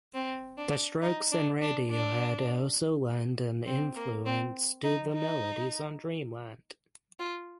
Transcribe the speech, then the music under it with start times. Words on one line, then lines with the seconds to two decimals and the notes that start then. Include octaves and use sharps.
The Strokes and Radiohead also lend an influence to the melodies on "Dreamland".
0.14 C4
0.58 D4
1.02 D#4
1.32 D4
1.61 D4
1.90 D4
3.66 C4
3.96 A#3
4.26 C4
4.84 D#4
5.13 D#4
7.19 F4